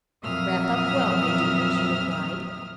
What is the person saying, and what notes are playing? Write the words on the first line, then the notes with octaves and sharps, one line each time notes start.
"Wrap up well, my dear," she replied.
F2 A#2 F#3 E5 D#6 F6